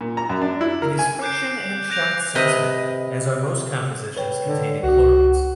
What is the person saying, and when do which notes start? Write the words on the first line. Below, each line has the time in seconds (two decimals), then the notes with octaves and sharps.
It is friction and shock sensitive, as are most compositions containing chlorates.
0.01 A#2
0.17 A#5
0.30 F#2
0.41 D4
0.61 E4
0.82 A#4
0.99 G#5
1.22 D6 F#6 G6 C7 D7
1.90 F#6 G6 A#6 D7 F7
2.35 C3 B4 D#5
4.17 B4 C#5 G5
4.47 D3
4.83 C#2 F#4